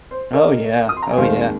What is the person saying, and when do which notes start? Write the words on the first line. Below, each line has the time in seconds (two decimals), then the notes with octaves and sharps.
Oh, yeah, oh, yeah,
0.11 C5
0.33 A#4 D#5
0.89 D#6
0.97 C6
1.03 A#5
1.10 G#5
1.17 D#2 D#3 G#3 C4 C5 F5